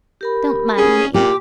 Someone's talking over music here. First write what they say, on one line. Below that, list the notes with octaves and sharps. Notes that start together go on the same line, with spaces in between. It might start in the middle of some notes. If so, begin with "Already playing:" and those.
"Don't mind me."
G4 A#4 B5
C#4 G#4
A#2 G4 C6 D6